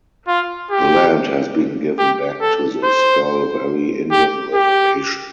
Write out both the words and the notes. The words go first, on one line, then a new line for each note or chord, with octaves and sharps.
The land has been given back to the Skull Valley Indian Reservation.
F4
G4
G4
A4
C5
G4
G4